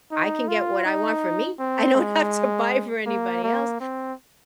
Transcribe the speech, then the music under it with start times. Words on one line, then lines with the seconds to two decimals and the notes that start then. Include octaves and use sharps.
I can get what I want for me. I don't have to buy for anybody else."
0.11 D#4
0.48 F4
0.85 D#4
1.59 C4
1.95 G#3
3.06 A#3
3.43 A#3
3.80 C4